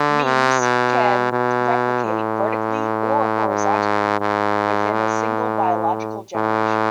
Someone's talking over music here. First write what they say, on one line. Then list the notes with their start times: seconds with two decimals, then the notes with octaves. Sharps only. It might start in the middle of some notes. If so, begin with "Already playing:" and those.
Memes can replicate vertically or horizontally within a single biological generation.
Already playing: D3
0.24 C3
0.60 B2
1.32 B2
2.04 A2
3.48 G#2
4.20 G#2
4.92 A2
6.35 A2